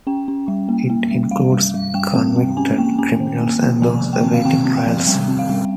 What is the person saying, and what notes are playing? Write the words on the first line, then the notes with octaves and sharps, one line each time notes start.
It includes convicted criminals and those awaiting trials.
C#4 G5
C#4
G3
A#3
A#3
G3
G3 F5
G3
G3
G3 G5
C4
C4
C#4 G#5
A#3 G5
C#4 G#5
D#3
A#3
A#3
F3 G#5
F3
G5
C4
F5
C4 G5
C4
G5
F3
G3 G5
C4
F5
G3